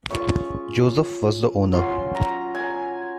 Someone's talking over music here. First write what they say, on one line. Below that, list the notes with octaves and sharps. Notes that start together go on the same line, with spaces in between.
Joseph was the Owner.
G#3 C#4 F4 C#6
F#3 C#4 F4 C6
A#5
G#5